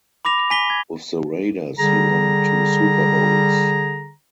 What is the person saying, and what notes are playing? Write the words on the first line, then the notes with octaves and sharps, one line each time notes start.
With the Raiders he won two Super Bowls.
B5 D6 A#6 F7
G#5 B6 G7
G#6
D3 G3 G#4 A#5